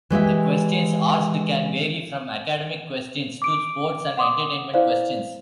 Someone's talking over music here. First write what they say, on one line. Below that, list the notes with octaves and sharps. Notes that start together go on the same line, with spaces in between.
The questions asked can vary from academic questions to sports and entertainment questions.
E3 G#3 G4 E5
D6 D7
F#5 C6 D6 D#6
E4 C5 D5 F5